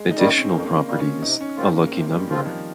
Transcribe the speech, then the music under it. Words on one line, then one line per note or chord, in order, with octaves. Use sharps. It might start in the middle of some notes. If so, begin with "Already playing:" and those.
Additional properties: a lucky number.
Already playing: G#3
D#4
D#3 G3 A#3
C#4
C4
F2 A#3
A#3
C4
D#3 G3 A#3
C#4
C3 D#4
C#4
F3 A#3 C4 F4
A#3
A#3
C3 C4
G3
D#3 F3 C4 F4
D#3
F3